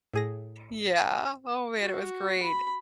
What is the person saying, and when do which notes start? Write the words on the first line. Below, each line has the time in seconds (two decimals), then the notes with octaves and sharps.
Yeah. Oh, man, it was great.
0.13 A2 G#4 A#6
1.81 F#4
2.42 B5